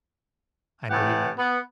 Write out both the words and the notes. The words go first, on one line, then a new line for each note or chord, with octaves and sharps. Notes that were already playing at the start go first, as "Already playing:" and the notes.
I believe it.
A2 C3 E3 G4 F#5
B3